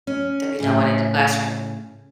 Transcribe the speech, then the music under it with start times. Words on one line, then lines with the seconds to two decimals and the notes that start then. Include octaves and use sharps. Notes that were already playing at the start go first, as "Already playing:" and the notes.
there'll be no one in the classroom.
0.07 C#4
0.60 A2 C#3